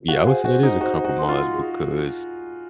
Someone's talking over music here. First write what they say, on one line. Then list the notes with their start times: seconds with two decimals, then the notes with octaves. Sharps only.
Yeah, I would say it is a compromise because,
0.08 F#4 F5
0.27 G#4 C5
0.45 F#4 C5
0.63 D#4 C5
0.81 F#4 C5
0.98 C5
1.05 F#4
1.17 C6
1.29 F4
1.35 C6
1.53 G#4